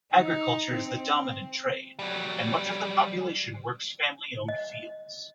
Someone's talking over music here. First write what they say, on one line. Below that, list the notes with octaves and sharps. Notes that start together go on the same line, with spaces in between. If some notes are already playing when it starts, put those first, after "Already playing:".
Agriculture is the dominant trade, and much of the population works family-owned fields.
D#4
C4
F#3 G3
D#5